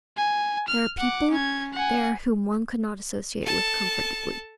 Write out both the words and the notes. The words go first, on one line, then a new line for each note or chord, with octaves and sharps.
There are people there whom one could not associate with comfortably.
G#5
F6
F#5 D6
C#4 G#6
F#5 G#5
A4 A5